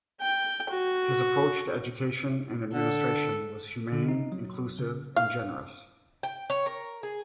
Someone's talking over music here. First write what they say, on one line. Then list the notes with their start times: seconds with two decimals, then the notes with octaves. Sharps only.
His approach to education and administration was humane, inclusive, and generous.
0.22 G5
0.70 F#4
2.74 D3 A4
3.92 D3
4.09 D#4
4.32 F#3
4.79 C#3
5.16 F5
6.23 G5
6.50 C#5
6.66 A#4
7.03 G#4